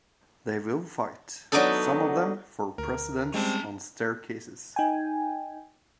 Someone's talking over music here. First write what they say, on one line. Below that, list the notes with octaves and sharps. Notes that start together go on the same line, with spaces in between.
They will fight, some of them, for precedence on staircases!
F#3 B3 D4 D#4 A4
D2 A#4
G3 G#3 C4 C#4 A5
D#4 G5 G#5